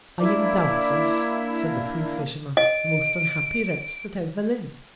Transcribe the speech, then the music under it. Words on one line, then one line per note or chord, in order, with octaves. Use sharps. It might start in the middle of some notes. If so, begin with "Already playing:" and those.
I am, doubtless, said the poor Fisherman, the most unhappy Wretch that ever liv'd!
A#3 D4 E4 A#4 D5
D#5 D7